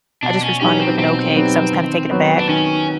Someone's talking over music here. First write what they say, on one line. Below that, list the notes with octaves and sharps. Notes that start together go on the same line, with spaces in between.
I just responded with an okay 'cause I was kinda taken aback.
B2 D4
C#4
F#3 B3 C#4 D#4 G4
C4
B2 C4
F#3 B3 D#4 G4
D#3
F#3 B3
D4
D#3 C#4